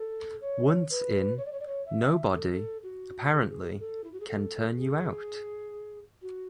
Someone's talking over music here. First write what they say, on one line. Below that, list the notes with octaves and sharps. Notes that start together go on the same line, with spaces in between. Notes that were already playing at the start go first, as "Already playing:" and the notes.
Once in, nobody, apparently, can turn you out.
Already playing: A4
C#5
B4
C#5
D5
C#5
D5
C#5
E5
A4
F#4
G#4
F#4
G#4
A4
E4
F#4
G#4
A4
G#4
F#4